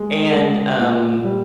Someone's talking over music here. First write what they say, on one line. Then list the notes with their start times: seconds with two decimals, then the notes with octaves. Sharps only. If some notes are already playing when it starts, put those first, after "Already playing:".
And, um,
Already playing: G#3
0.36 G#3
0.79 A#2
1.24 G3